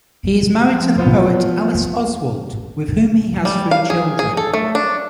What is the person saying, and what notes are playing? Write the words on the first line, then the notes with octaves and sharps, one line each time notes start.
He is married to the poet Alice Oswald, with whom he has three children.
F3
B3 F4 C5
G3
F5
G#4
G#4
A4
A3
D4